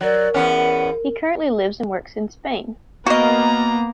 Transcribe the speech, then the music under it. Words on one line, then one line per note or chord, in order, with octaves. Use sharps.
He currently lives and works in Spain.
F#3 A#4 D5
E2 B3 C#4 F#5
A#3 B3 F#4 D#5 A#5